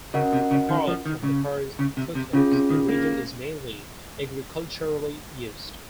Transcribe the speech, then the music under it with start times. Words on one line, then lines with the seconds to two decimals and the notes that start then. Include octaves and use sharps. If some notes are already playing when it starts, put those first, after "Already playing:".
Apart from the Harz foothills the region is mainly agriculturally used.
0.14 C#3 C#4 F#4 A#4 D#5 F#5
0.33 C3
0.51 C#3
0.69 D#3
0.87 F3
1.06 D#3
1.23 C#3
1.79 C#3
1.97 C3
2.15 C3
2.33 C#3 C#4 F4 G#4
2.52 C3
2.70 D#3
2.89 A#3